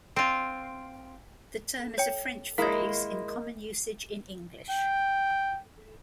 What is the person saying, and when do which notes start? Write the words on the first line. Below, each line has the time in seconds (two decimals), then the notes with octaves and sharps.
The term is a French phrase in common usage in English.
0.16 C4 F4
1.98 C#5 G5
2.58 G#3 A#3 E4 A#4 D#5 F5 G#6
4.70 G5